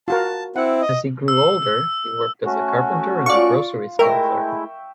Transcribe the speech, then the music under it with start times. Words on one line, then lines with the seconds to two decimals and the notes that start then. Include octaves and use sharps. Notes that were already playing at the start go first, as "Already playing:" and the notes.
As he grew older, he worked as a carpenter and a grocery store clerk.
0.08 F4 F#4 A#4 A5
0.56 C4 E4 F#5
0.81 D#5
1.28 E6
2.45 A3 C#4 F#4
3.26 F4 D5 C#6
3.99 G#3 A3 E4 A#4 E5 G5 C#6